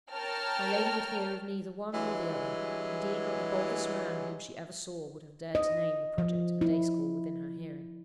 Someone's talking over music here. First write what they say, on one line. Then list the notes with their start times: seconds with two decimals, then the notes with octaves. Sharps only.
My lady would hear of neither one nor the other: indeed, not the boldest man whom she ever saw would have dared to name the project of a day-school within her hearing.
0.11 A#4 C#5 G5 A5 A#5 F6
1.93 G2 E3 F#3 G#3
5.55 D#5
6.18 F3
6.61 E4